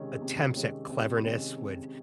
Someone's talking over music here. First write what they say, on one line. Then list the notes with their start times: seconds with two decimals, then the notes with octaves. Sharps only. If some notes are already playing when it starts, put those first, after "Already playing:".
attempts at cleverness would
Already playing: C3 D#3 G#3 C#4
0.22 C3
0.56 D#3 G#3 C#4
0.90 C3
1.24 D#3 G#3 C#4
1.57 C3